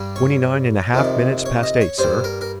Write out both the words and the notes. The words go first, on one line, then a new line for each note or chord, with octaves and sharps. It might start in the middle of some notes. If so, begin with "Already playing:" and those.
"Twenty-nine and a half minutes past eight, sir."
Already playing: G2 G3
C#5
F2 C3 D#3
C#5
D#5
C#5
G2 G3 C5
A#4
A#4